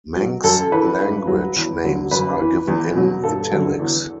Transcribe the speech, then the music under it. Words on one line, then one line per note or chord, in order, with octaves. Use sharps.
Manx language names are given in "italics".
F#3
F#2 A4
E3 B4
G2
F#3
E2
D3 F#3
F#2 B4
E3
E2
B2 F#3
G2 A4
D3 F#3
E2